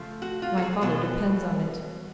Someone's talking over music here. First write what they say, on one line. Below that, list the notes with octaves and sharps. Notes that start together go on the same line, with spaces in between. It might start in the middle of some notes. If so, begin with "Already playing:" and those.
My father depends on it.
Already playing: C#3 F3 A3
F#4
F4
A4
G#4
B2 F#3 B3 A4